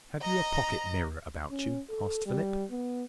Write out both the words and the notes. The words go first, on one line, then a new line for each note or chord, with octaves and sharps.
"Have you a pocket-mirror about you?" asked Philip.
D#5 A#5
C#4
A4
G3
B3